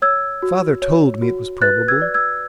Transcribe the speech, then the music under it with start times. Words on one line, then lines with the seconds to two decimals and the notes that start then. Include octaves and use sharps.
'Father told me it was probable.'
0.02 C#5 E6 G#6
0.42 F#4
0.82 C#5
1.22 F#4
1.62 B4 F#6 A6
1.88 E6 G#6
2.02 D5
2.14 E6 G#6